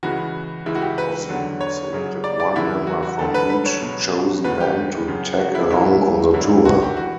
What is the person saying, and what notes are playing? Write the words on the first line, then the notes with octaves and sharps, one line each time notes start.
Ozzy selected one member from each chosen band to "tag along" on the tour.
C#2 C#3 E3 F#4
C#2 C#3 E3 E4
F#4
G4
B4
E2 D3 F#3
C#5
F#2 C#3 F#3
D5
D5
E2 C#3 E3 E4
F#4
F#4
D2 D3 F#3 A4
B4
B4
C#5
C#2 B2 F#3
E2 D3 F#3 B4
G4
F#2 C#3 F#3
F#4
E4
C#2 B2 F#3 E4
G2 D3 F#3 E4
F#4
G4
E3 F#4